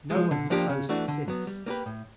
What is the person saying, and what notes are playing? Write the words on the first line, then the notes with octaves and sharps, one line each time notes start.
No one had closed it since.
F3 G#3
D3
F3 A#3 D4 G4
C#3
E3 A3 D4 F#4
D3
F#3 B3
G3
A#3 D4 G4 B4
A2